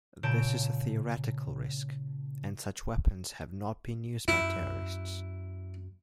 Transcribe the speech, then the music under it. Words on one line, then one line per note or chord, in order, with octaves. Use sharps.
This is a theoretical risk, and such weapons have not been used by terrorists.
A#2 C#3 A5 G6 D7
F#2 E4